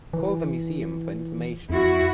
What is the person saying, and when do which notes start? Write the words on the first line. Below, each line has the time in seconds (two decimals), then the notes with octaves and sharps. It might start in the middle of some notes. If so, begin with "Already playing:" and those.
Call the museum for information.
0.13 E3
1.70 F2 E4 F#4